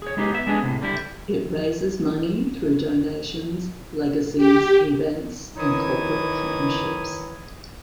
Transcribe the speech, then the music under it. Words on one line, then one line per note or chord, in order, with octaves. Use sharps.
It raises money through donations, legacies, events and corporate partnerships.
G#4 C#5
G#3 B3 D#4 G4 G#4
B3 E5
G#3 B3 D4 G#4
A2 C3
D3 G3 E4
G4
D#3 E3 D#4 E4 C#5 D#6